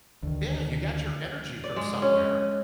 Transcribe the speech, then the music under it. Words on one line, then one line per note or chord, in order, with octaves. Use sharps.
Yeah, you got your energy from somewhere.
D2 D#3
D5
G#3
C#4